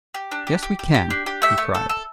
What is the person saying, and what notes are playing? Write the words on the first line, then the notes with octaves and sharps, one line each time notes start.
"Yes, we can!" he cried.
G4
D4
G4
G4
G4
G4
D4
G4
A3 E5
A3
A4
A4